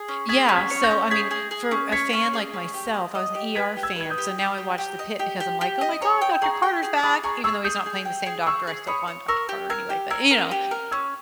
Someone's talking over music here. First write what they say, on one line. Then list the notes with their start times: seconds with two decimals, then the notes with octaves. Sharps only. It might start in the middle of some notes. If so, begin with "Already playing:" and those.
Yeah, so, I mean, for a fan like myself, I was an ER fan, so now I watch the Pit because I'm, like, "Oh my God, Doctor Carter's back," even though he's not playing the same doctor, I still call him Doctor Carter anyway, but, you know,
Already playing: G#4
0.08 C#4
0.29 G#4 G#6 B6
0.49 C#4
0.56 G#6 B6
0.70 C#5
0.84 G6 A#6
0.91 C#4
1.10 G#4 G#6 B6
1.31 G#4
1.51 G#4
1.71 C#4
1.92 C#5 G#6 B6
2.13 C#4
2.33 G#4
2.53 C#4
2.74 G4
2.94 D#5
3.15 D#5
3.35 G4
3.55 B4 G#6 B6
3.77 G4
3.83 E6 G#6
3.96 B4 G#6
4.10 D#6 G6
4.18 G4
4.38 G4
4.58 G4
4.78 G4
4.99 D#5
5.19 G4
5.40 G4
5.61 G4
5.81 D#5
6.01 C#5 A#5 C#6
6.22 G5
6.42 G#4 A#5 C#6
6.63 G5
6.83 G#4
7.03 G#4 B5 D#6
7.23 G#4 A#5 C#6
7.44 G#4 C#6 E6
7.64 G#4 D#6 G6
7.86 G#4
8.05 G5
8.26 G#4
8.46 G#4 C#6 E6
8.67 G#4
8.87 C#5 B5 D#6
9.07 C#5
9.28 A#4 C#6 E6
9.49 G4
9.70 A#4 E6 G#6
9.90 G4
10.10 A#4 E6 G#6
10.31 A#4
10.51 G4
10.71 A#4
10.91 C#4 E6 G#6